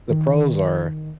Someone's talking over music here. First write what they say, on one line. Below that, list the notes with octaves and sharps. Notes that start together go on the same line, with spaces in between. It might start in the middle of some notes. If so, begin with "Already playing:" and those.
the pros are
D#3